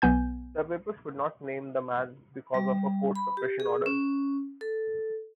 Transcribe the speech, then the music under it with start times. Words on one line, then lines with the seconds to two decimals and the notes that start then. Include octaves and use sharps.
The papers could not name the man because of a court suppression-order.
0.02 B1 B3 G#5 G6
2.54 G3
3.15 B5
3.37 G4
3.60 G#4
3.86 C#4
4.61 A4